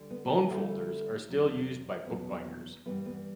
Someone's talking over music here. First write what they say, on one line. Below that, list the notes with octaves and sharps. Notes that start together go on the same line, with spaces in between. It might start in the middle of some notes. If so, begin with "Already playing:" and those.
Bone folders are still used by bookbinders.
Already playing: D2 D3 G3
B3
B3
D2 D3 G3 A3
E2 B2 F#3
E2 B2 F#3 B3
G2 E3 G3 B3
B3